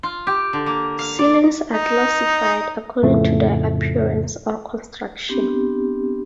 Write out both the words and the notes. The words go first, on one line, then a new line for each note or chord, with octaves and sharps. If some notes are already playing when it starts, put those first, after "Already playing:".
Ceilings are classified according to their appearance or construction.
F4
G4
D3
A#3
F5
D5
D#4
F2 A2 C#3 F3 A3
B3 C4 D4 G4